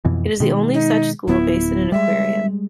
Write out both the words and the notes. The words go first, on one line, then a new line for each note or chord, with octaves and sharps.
It is the only such school based in an aquarium.
F2 B2 E3
B2 D#3 G#3
D#4
D1 B3 E4
G3 G#3 E5